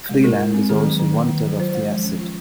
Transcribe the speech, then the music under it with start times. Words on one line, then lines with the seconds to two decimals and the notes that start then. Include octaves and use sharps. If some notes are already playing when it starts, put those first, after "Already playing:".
Freeland is also one third of The Acid.
0.09 G#3
0.24 F4 A#4
0.39 G#3
0.54 C4
0.69 D#3 G#4
0.84 F#3
0.99 D#3
1.14 A#3
1.29 D#3
1.45 F#3
1.59 F4 C5
1.75 G#3
1.89 F3
2.04 C#4
2.19 F4